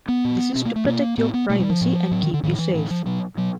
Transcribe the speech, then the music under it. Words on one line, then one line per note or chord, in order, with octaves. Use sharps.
This is to protect your privacy and keep you safe.
B3
A#2
B2 C4
A#3
A3
B2 A#3
A2 B3
B3
B2 A3
G3
F3
A2
A2 F#3
D#3
D3
A2 D#3
E3
A2 E3
F3
B2 F#3
B2 F#3